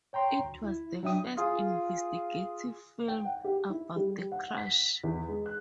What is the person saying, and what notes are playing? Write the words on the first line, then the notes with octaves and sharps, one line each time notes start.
It was the first investigative film about the crash.
C#5 G5 A#5 C6
D2
E4
F#3 D4 E5 G5 D#6
F4 G#4
G5
F#5
G4
E4
G3
F#5
B6
E2
G#3
F#6